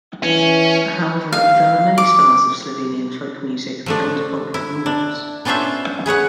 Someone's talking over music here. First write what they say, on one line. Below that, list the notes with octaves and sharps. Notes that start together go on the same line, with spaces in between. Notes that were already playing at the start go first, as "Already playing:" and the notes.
However, there are many styles of Slovenian folk music beyond polka and waltz.
E3 C#4
F5
D6
F3 A3 D4
E4
D4
B3 C#4 D4 F4 C5 E5
G#4 B4 C#5 F#5